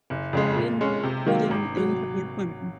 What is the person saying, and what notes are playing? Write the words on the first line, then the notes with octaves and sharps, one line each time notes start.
didn't we didn't they didn't put me in swimming.
F#1
F2 C#3 G#3
A#2
G#3 C#4
C3
D#3 F#3 A#3
G#1
F#3